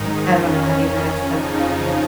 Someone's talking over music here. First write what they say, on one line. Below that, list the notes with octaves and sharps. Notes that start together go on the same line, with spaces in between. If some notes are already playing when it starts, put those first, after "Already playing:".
and I don't know, have you ever had stuffed pepper?
Already playing: G#2 D#3 D#4
F2 D#3 C#4
F2 C#3 F3 D#4